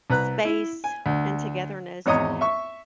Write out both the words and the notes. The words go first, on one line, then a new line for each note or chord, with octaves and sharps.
space and togetherness,
C2 B4 A#5 F#6
E4
G#5
D2
G#1 E2 C#5 D#5 A#5 D#6
E5 C#6